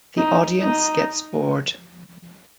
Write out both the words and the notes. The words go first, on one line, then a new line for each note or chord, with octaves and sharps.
The audience gets bored.
D#4
D#4